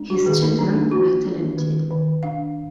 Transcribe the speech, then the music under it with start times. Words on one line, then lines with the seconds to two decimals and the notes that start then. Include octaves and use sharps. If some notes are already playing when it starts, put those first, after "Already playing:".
His children were talented.
Already playing: G#3 D4
0.10 F#4
0.26 D#3 G#4
0.42 D#4
0.58 D#3 D4
0.76 D#4
0.91 A#3 F#4
1.25 D4
1.58 D#3
1.91 D#3
2.23 D4 F5